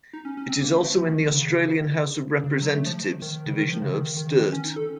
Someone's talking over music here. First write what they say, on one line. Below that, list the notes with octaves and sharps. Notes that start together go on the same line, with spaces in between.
It is also in the Australian House of Representatives Division of Sturt.
D#4
C#4
C#4
C4
A#3
A3
A3
F3
D#3
C#3
C#3
D#3
F#3
A3
F3
D#3
C#3
D#3
F3
C#3
D#3
D#3
D#3
C#4
D#4
A4